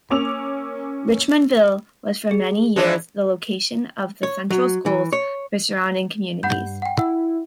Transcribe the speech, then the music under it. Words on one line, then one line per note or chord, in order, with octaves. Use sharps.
Richmondville was for many years the location of the Central School for surrounding communities.
A#3 C#4 D6 E6 F7
G#4
E3 G#3 D4
C#5
F#3
E3
C#5
G2 F#5 B5 G6
F#5 G5
E4 F#5 E6